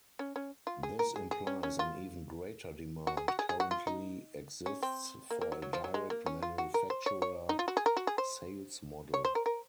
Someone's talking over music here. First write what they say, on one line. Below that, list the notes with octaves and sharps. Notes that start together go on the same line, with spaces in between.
This implies an even greater demand currently exists for a direct manufacturer sales model.
C#4
C#4
F4
G#4
A#4
G#4
G#4
C#4
C#4
F4
F#4
G#4
F#4
G#4
G#4
F#4
F4
D#4
C#4
C4
A#3
A#3
F#3
F#3
F3
F#3
G#3
A#3
C#4
F4
F#4
A#4
C5
C#5
C#5
D#4
F4
F#4
G#4
A#4
F#4
G#4
C5
C#5
C5
A#4
A#4